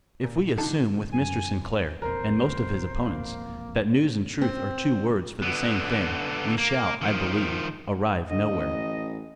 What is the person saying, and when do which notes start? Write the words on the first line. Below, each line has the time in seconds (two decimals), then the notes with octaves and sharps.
If we assume with Mr. Sinclair, and most of his opponents, that news and truth are two words for the same thing, we shall, I believe, arrive nowhere.
0.24 A#2
0.57 C2 D3 D#4 A4 A5
1.12 F#2 G#5
2.02 E1 A#1 F2 A#4 C5
2.96 A#3
4.41 C4
5.42 D3 B3
6.58 A#3
7.01 D#3 F3
8.30 D3 D#5
8.51 A1